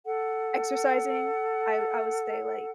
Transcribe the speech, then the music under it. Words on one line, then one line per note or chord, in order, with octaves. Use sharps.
exercising, I I would say, like
A4 F#5